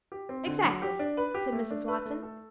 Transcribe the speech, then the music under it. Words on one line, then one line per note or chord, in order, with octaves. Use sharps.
"Exactly," said Mrs. Watson.
G4
C4
D3
F#3
G4
D4
B4
G4
A3
D4
B4
A3
A4